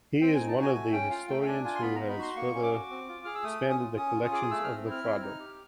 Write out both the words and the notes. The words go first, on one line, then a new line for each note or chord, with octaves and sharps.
He is one of the historians who has further expanded the collections of the Prado.
C4 G5
D#4 G#5
A5
F#4 G#5
A3 G#5
C#4 G5
F4 F5
A3 G5
G5
D4 G#5
F4 G#5
C6
B3 B5
D#4 A#5
B5
F#4 C6
A#3 C#6
C#4
D6
F#4
C4
F4
G#4 F6
E6
A3 D#6
C#4
D#6
F4
C#4 D#6
F4
D#6
G#4 D6
D#6
A3 E6
C4 F6
E4 F6
C4
D#4
G4